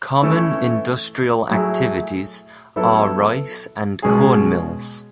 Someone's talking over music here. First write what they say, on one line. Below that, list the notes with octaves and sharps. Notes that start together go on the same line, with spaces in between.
Common Industrial activities are rice and corn mills.
E3 A3 C#4 E4 A4
F#3 A3 E4 G#4
F#3 B3 E4 A4
B2 G#3 C#4 G#4